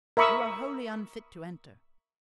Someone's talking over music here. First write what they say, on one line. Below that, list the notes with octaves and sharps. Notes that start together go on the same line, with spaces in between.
You are wholly unfit to enter.
A#4 E5 B5 C#6 D#6 E6